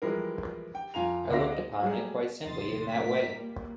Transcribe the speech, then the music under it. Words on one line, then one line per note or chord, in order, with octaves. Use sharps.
I looked upon it quite simply in that way.
E3 F3 G3 G#3 E4 A#4
G4 G5
F2 F4 F5 G#5 A#5 F7
D2 D3 D4 E5 F5 A#6
D#5
F#3 G3 A3 G#4
D#2 C3 F3 C6 D#6 A6
A2 G3 C4 A#4 B6
A#2 G3 A#3